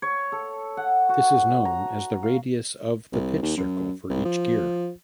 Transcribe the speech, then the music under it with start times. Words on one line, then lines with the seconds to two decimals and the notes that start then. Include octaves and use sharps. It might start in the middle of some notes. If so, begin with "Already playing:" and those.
This is known as the radius of the "pitch circle" for each gear.
0.02 C#5
0.32 A4
0.77 F#5
1.09 F#4
1.65 A#5
2.23 F5
3.13 C2
3.42 D#2
3.57 F#2
4.10 C2
4.25 F3